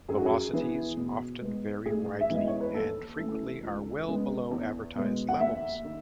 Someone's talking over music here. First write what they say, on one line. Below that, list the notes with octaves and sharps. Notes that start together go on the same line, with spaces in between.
Velocities often vary widely and frequently are well below advertised levels.
F#2 G#4
F#4
G#4
E3 B3
B2
G#3 B3
A2 G#4
E5
E3 G#3 B3 D#5
C#5
B4
D#2 A4
C#3 E3 A3
C#2
C#3 G#3 B3
E2
B2 G#3 B3
F#5
D#2 E5
D#3